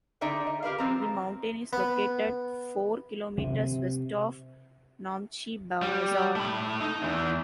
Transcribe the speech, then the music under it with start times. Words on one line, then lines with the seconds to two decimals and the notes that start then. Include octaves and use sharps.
The mountain is located four kilometers west of Namche Bazaar.
0.21 D3 D#4 G#4 D5 E5 G5
0.47 D#5
0.62 G4 A#4 B4 F5
0.78 F3 C4 A#5
1.73 B3
3.38 C3
5.82 G3
6.36 A3 B5
6.81 D#4
7.02 E2 E3